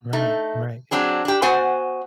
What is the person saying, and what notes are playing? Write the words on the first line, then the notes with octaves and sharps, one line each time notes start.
Right, right.
A3 D#4
F#3 C4 D4 G#4
D4 G4
B3 F#4 C5 F#5 G#5